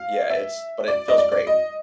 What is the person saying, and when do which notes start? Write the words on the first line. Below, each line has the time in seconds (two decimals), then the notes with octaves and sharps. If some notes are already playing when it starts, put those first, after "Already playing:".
yeah, it's but it feels great.
Already playing: F5
0.30 E5
0.88 D5
1.08 D#5
1.18 D5
1.32 D5
1.47 D#5